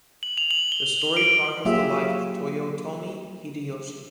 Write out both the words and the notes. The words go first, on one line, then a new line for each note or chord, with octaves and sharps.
The story chronicles the life of Toyotomi Hideyoshi.
F#7
F7
F#7
G7
F#7
D7
F#3 A#3 F4 G4 G#4 E5